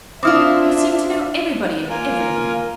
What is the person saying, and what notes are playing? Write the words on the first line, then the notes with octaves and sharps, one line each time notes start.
You seem to know everybody, and everything.
C4 D4 E4 F4 E5 D6 D#6 F6
A#3 F4 A#4 G#5